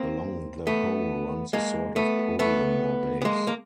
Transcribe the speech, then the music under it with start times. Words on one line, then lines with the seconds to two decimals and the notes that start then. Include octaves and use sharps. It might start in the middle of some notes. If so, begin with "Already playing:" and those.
Along the whole runs a sort of podium or base.
Already playing: A#3 C4
0.67 A3 B3
1.53 G#3 A#3
1.96 A3 B3
2.39 A3 B3
3.22 B3
3.25 G#3 A#3
3.47 A#3